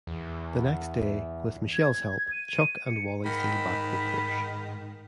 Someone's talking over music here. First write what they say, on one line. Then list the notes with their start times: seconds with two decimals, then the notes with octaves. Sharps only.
The next day, with Michelle's help, Chuck and Wally steal back the Porsche.
0.07 E2
1.73 G#6
2.32 D#7
2.87 C#7
3.25 G#2 D#3 B5